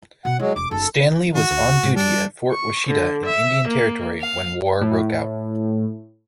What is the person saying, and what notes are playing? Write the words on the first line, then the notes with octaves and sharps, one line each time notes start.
Stanley was on duty at Fort Washita in Indian Territory when war broke out.
B2 F#5
F#3 G#3 E4
E1 D6
F#1 D#4 A4
D#3 F#4
D2
G#2
G3 D4
C#6
D3
E5
A#3
F5
A2